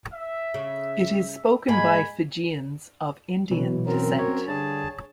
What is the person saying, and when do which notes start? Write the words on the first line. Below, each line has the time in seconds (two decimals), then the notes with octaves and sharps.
It is spoken by Fijians of Indian descent.
0.13 E5
0.54 C#3
1.68 G#2 G#3 A#3 G#5 B5
3.51 B2 E3 F#3
3.87 F#2 C4 A#4
4.19 C#5
4.47 G2 D3 G#4 A5